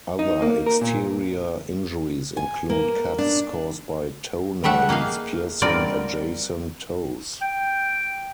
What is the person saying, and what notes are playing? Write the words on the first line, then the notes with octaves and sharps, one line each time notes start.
Other exterior injuries include cuts caused by toenails piercing adjacent toes.
D#4
A#3
A#4
A#2
G#5
A#3
D4
G3 A3 E5 F#5
A#3 D#4 G#4 F5
D3 G3 C4 F4 A#4 D5
G5